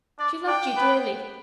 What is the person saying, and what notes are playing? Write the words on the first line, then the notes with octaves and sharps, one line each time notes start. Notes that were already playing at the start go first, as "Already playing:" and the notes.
She loved yo' dearly.
D4 D5
D4 D5 G5
B3 B4